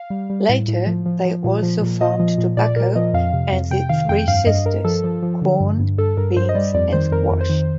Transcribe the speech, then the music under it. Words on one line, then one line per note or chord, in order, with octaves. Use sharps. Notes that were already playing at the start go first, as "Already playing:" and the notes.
Later, they also farmed tobacco and the "three sisters": corn, beans, and squash.
Already playing: F5
G3
G3
A2
A2
F3
F3
F3
A#2
F3
A#2
A#2 D#5
F3
A#2
A#2 D5
A#2 A#4
F3 D#5
F2 F5
C3
F2
C3 G5
D#3 F5
F2 G5
G2 F5
G2 D#5
G2 A#4
F3 A4
F3
F3
D3
G2
G2
G2 A4
G2 A#4
G2 C5
D#5
G3 D5
F2 D5
D#3 C5
F2 A#4
F2
C5
D#3